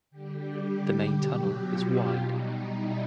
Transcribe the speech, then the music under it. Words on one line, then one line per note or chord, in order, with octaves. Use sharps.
The main tunnel is wide.
D3 G3 G4
G4
B2 F#3 G4
F4
B2 G3 D#4
E4